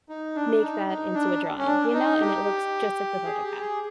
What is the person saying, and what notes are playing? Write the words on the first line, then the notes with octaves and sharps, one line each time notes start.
make that into a drawing, you know? And it looks just like the photograph.
D#4
D4
D#4
D#4
D4
C#4
D4
D#4
G4
G#4
G4
G#4